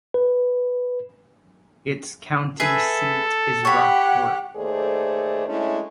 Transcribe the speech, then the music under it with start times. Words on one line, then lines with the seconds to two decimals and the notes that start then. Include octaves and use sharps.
Its county seat is Rockport.
0.14 B4
2.60 G#4 A4 B4 E5
3.65 G4 C#5 F#5 B5
4.56 D#2 A3 G#4 A4 C5 D5
5.48 G#3 A3 C#4 D4 E4